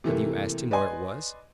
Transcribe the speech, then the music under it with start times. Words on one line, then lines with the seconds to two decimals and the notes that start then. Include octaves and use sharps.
Have you asked him where it was?
0.04 C3 E3 A3 A#3
0.71 B4 D5 D#5 G#5 C6